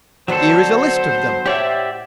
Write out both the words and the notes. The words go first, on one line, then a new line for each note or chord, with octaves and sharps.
"Here is a list of them."
D3 D#3 F#3 B3 D4 A4 C5
A2 G4 C#5 D5 E5 F#5